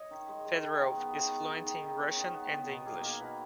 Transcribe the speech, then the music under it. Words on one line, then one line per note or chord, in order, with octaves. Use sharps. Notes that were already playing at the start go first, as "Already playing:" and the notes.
Fedorov is fluent in Russian and English.
Already playing: C#5 D#5
D#3
G#3
G#3
D#3
D#3
B3
D#3
B3
D#3
D#3
D#3
B3 C#5
D#3
B3
B3
B2
A#3 G#4
A#3 A#4
B2 B4